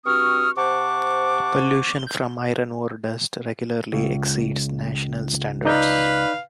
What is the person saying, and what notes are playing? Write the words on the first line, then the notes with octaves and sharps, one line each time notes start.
Pollution from iron ore dust regularly exceeds national standards.
G2 C4 F#4 C#6 D#6 F6
C3 C5 F#5 A5 C#6 D6
C#2
D#4 B4 D5 F5 G6